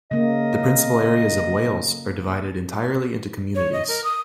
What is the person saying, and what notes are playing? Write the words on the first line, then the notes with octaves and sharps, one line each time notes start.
The principal areas of Wales are divided entirely into communities.
C#3 A#3 D#5
C#5
D#5
A#4
D#6